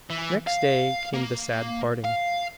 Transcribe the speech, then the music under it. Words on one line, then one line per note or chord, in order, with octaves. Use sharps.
Next day came the sad parting.
E3
F5
A#3
F5